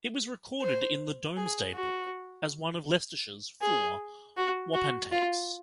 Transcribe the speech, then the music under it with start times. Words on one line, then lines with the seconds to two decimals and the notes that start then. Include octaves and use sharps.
It was recorded in the "Domesday Book" as one of Leicestershire's four wapentakes.
0.61 C5
1.37 G#4
1.74 F#4
3.62 G#4
4.37 F#4
4.74 F#4
5.12 F4